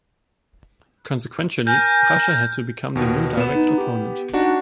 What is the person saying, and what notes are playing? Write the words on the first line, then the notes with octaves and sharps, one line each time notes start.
Consequentially, Russia had to become the new direct opponent.
A#4 G#5 G6
D#2 B2
B3 E7
D#4
G4
D4 D#4 F#4